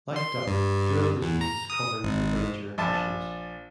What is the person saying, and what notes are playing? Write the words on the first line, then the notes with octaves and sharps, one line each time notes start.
Like duck, drill is used as a covering for furniture and cushions.
C6
G2
E2
A#5
D#6
G#1
G#2
A#1 A5